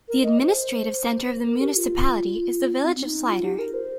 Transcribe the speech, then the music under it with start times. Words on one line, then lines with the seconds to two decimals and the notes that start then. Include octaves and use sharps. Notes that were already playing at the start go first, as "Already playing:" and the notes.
The administrative centre of the municipality is the village of Slidre.
0.08 A#4
0.23 D#5
0.39 C5
1.45 A#4
1.61 G4
1.76 F4
2.83 C4
2.96 C4
3.06 D#4
3.29 F4
3.44 G4
3.59 A#4
3.74 C5